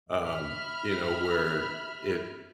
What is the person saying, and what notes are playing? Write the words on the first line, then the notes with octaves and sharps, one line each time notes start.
um, you know, where it
E5 B5 F6